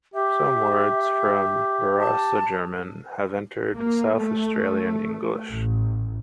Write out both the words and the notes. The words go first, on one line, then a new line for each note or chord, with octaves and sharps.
Some words from Barossa German have entered South Australian English.
G4 E5
A5
A#3
A3
A1